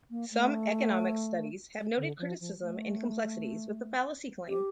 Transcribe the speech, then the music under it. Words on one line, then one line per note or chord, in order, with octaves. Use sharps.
Some economics studies have noted criticism and complexities with the fallacy claim.
A#3
A3
D3
F3
F3
A3
G4